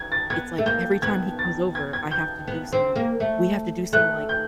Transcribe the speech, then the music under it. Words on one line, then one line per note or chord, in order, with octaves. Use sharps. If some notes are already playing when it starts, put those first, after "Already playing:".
it's, like, every time he comes over, I have to do some we have to do some, like,
Already playing: G#6
A6
B3 G#6
A3
A#3 G6
B3 G#6
A6
G#6
G#6
G6
B3
C4
A#3
A3
A3 F#6
G6